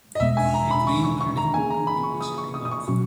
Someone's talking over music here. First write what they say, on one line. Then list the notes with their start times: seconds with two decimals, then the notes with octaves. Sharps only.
A green building with two people sitting out front.
0.15 D#5
0.20 E2 B2 G#3 B3 E5
0.37 G#5
0.54 A#5
0.71 B5
0.87 C#6
1.04 C#6
1.21 C#6
1.37 A#5
1.54 E3 A#3 C#4 G#4 G#5
1.70 A#5
1.87 B5
2.03 C#6
2.21 D#6
2.38 C#6
2.54 D#6
2.65 D#6
2.71 C#6
2.88 B2 F#3 C#4 F#4 C#6